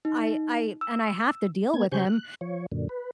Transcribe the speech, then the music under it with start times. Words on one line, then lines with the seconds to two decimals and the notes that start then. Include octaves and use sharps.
I I and I have to deal with him,
0.05 D#4
0.81 E6
1.74 A#3 B3 G#6
1.92 C#3 G4 C5 G#5 C#6 G6
2.07 F#6
2.41 F3 C#5
2.72 F#2 A#2 D3
2.89 B4